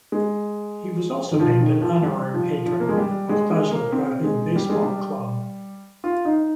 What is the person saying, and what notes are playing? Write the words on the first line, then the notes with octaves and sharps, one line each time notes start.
He was also named an honorary patron of the Portage la Prairie Baseball Club.
G#3
D#3
F3
D#3
F3
G3
F3
F3
A#3
G#3
G3
G#3
G#3
A#3
C4
G#3
G3
G#3
G3
F4
D#4